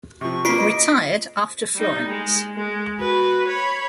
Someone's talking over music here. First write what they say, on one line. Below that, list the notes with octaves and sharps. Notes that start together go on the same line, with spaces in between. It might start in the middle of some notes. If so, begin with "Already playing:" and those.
Retired after Florence.
C3 F3 C#6
A#3 F4 B4 B6 C7 D7
D#5
G3 D#4
G#3
G#3
F#4 B4
C#5 B5